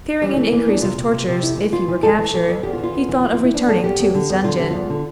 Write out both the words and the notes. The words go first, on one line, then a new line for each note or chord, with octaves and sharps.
Fearing an increase of tortures if he were captured, he thought of returning to his dungeon.
E3 G3
E3 A3
E3 A#3
E2 D4
C3 F4
C3
C3
C3
F2 E4
E3 F4
E3 F4
E3
F2 A4
E3
E3
F2
E2 G4
F4
E3
F4
E2
E3
E3 F4
F4
E3 E4
E3 D4
E2 A4
E2 G4
E2
D3
E2
D3 F4
D3 G4
E2 F4
D3